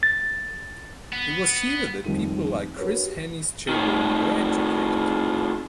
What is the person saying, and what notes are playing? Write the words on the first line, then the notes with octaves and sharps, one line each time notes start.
It was here that people like Chris Hani's children were educated.
A6
B3
F1 C2 G2 D#3 F4 D#7
D4 F#4 A#4 B4 C#5
G4
A2 D#3